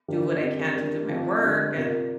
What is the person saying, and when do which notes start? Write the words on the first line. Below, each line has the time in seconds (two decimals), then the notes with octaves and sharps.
do what I can to do my work, and,
0.08 D3 F3 D4 G4 A#4
0.42 D3 G3 C4 G4 A#4
0.75 G3 D4 G4 A#4
1.09 F3 C4 G4
1.43 D3 G3 D4 A#4
1.77 C3 A#3 F4 A#4